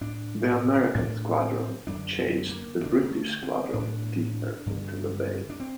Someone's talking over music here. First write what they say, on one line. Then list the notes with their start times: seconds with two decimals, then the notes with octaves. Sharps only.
The American squadron chased the British squadron deeper into the bay.
0.01 A2 D4
0.95 A2 D4
1.41 C4
1.87 F#2 D3 D4
2.18 C4
2.49 A#3
2.80 G2
2.84 D3 D4
2.93 C4
3.03 A#3
3.11 A3
3.43 C4
3.73 A2 D4
4.66 G2 D3
5.50 D4
5.60 C4